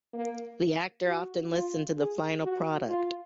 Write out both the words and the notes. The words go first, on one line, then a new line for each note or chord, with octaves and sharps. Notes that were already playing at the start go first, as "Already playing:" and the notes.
The actor often listened to the final product.
A#3
F#4
F4
G#4
F#4
F4